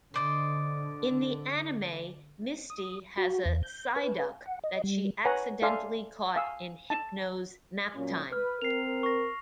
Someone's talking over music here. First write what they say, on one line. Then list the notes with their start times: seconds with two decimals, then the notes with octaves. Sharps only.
In the anime, Misty has a Psyduck that she accidentally caught in "Hypno's Naptime".
0.14 D3 C5 D5 D#5
2.70 D#6
3.17 F#4
3.46 E2
3.63 G6
3.96 B4
4.46 F#5
4.64 D#5
4.84 G3
5.25 B4 C#5 F#5 G#5 A#5
5.62 A4 D5 E5 F5 G#5 C6
6.36 F5 G#5 D#6 E6
6.90 A5
7.95 A#2 F#3 C#4
8.33 B4 F6
8.62 C4 A#4 C7 F7
9.03 C#6 A#6